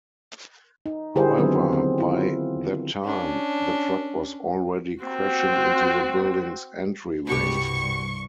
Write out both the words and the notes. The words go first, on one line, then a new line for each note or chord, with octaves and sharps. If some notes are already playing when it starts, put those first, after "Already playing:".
However, by that time the truck was already crashing into the building's entryway.
D#4
D3 E4 G4 G#4 A#4 C5
D3 D#3 F#3 B3 C4
C4
E4 F4
C#4 D4
C4 F#4
C2 G2 B2 F#4 G4 C#6